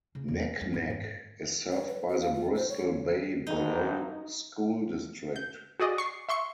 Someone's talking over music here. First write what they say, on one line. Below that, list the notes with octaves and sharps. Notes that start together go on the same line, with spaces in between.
Naknek is served by the Bristol Bay Borough School District.
C#3
E2
F#3
G2
G#2
G#2
C#5
B4
F#4
F5
F4
C5
C#5
G#1 D#4
G6
F#4 G#4 D5 D#5
C#6 C7
E5 C6 C#6 C#7